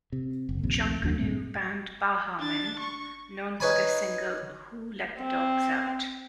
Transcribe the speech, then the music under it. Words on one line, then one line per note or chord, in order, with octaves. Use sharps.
Junkanoo band Baha Men, known for their single Who Let the Dogs Out?
C3
F#1
A#1 D#2 C3
F1 D#2 F#3 D4
G2 A#2 G3 C4
D4 A6
C#6
D#4 B4 C#5 G#5 B5
C4